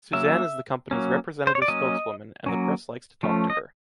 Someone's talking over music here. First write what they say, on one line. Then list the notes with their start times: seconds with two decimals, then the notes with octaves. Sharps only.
Susanne is the company’s representative spokeswoman and the press likes to talk to her.
0.13 F#3 A#3 C#4 E5
0.91 F#3 A#3 C#4
1.47 C5
1.55 C#5
1.62 D5
1.68 F#3 A#3 C#4 D#5
2.46 F#3 A#3 C#4
3.23 F3 A3 C#4
3.50 D#5